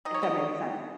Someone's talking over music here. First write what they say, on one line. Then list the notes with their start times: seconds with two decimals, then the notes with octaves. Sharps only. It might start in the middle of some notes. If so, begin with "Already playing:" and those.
if that makes sen
0.05 D#3 D#5
0.14 C#5
0.22 B3 D#5